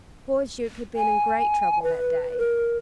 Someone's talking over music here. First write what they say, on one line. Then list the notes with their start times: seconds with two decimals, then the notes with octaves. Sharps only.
Poor Jupe had been in great trouble that day.
0.96 G#5
1.83 B4
2.38 A#4